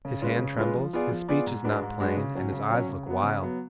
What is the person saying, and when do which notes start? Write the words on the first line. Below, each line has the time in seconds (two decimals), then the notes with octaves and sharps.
'His hand trembles, his speech is not plain, and his eyes look wild.
0.05 C#3
0.22 G#3 C#4 F4 B4
0.39 C#3
0.57 G#3 C#4 F4 B4
0.76 F3
0.93 B3 F4 G#4 D5
1.11 F3
1.28 B3 F4 G#4 D5
1.46 G#2
1.64 G#3 D4 F#4 B4
1.82 G#2
2.00 G#3 D4 F#4 B4
2.17 C#3
2.35 F#3 C#4
2.52 C#3
2.70 F#3 C#4
2.89 C#3
3.06 F#3 B3
3.23 C#3
3.42 F#3 B3